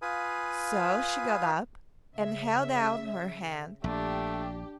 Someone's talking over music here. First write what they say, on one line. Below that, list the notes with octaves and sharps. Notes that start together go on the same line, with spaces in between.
So she got up, and held out her hand.
F4 B4 F5 G#5 B5 D#6
C#3 E5
A#1 A3 D4 G4